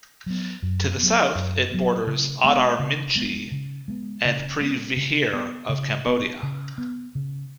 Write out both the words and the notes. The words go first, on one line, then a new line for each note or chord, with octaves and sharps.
To the south it borders Oddar Meancheay and Preah Vihear of Cambodia.
F#3 B3
F#2
F#3 B3
F#2
F#3 B3
C#3
G#3 B3
C#3
G#3 B3
C#3
G#3 B3
C#3
G#3 B3
C#3
B3
C#3
B3
C#3
B3
C#3